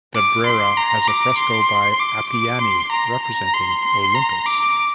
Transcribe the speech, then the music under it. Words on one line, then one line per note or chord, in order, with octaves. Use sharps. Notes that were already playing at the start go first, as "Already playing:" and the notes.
The Brera has a fresco by Appiani representing Olympus.
D6
C6
A#5
D6
C6
D6
D6
C6
A#5
A#5
C6
C6
A#5
D6